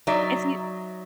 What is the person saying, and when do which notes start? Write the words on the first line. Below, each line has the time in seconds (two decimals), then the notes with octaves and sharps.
If you
0.07 F#3 D#4 D5 E5